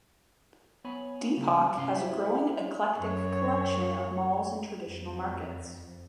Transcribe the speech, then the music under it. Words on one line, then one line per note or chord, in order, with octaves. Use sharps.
Depok has a growing eclectic collection of malls and traditional markets.
B3 C#5 G#5 B5
C#3 G3
G2 C3 C#4 F5 G#5 C6
E4 C5
F#2 C#5
F2